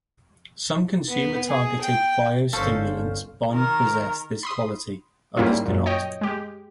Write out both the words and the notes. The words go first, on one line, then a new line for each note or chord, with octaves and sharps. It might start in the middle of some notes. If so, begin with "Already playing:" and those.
Some consumer-targeted biostimulants bond possess this quality, others do not.
B3
G#4
G5
G1 C#4 A4 C5 F5
D#3 A#4
B5 C6 D#6
G#2 G3 A#3 C#4 E4 F4
F#2 A#2
C#5 D#5 G5
G#3 G4